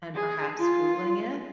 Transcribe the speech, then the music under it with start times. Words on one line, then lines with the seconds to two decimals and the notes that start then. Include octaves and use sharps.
and perhaps fooling it
0.15 G#4
0.59 F4